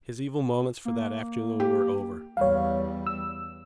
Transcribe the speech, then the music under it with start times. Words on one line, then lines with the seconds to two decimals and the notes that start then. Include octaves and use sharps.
His evil moments for that afternoon were over.
0.85 A#3
1.60 G4
2.37 E2 G3 C#5 F5
3.07 E6